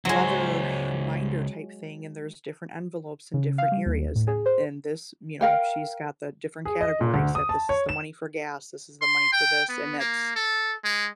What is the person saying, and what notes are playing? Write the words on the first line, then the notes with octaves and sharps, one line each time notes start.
leather binder type thing, and there's different envelopes in different areas. And and this you know, she's got the different categories that this is the money for gas, this is the money for this, and that's
C#2 F#3 G#3 C5
C#3
F5
G3
D#2
A2
G#4
C5
A#4 F5 G5
G#4
D#5
A#2
D2
D#6
A5
C#5
E7
C6
G5
B3
A#3
A4
G#3